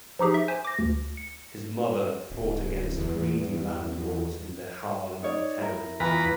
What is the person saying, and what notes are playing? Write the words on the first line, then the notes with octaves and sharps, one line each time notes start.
His mother fought against greedy landlords in their Harlem tenement.
F3 D#4 G4 G#4
E5
C5 G#5
D6 A#6
D2
C#7
D1
E2
D#4 C#5 D5
E4 A#4
E2 F4 B4 G#5 A#5 B5